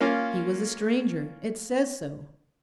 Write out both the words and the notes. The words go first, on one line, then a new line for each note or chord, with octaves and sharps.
'He was a stranger; it says so.
A#3 C#4 F4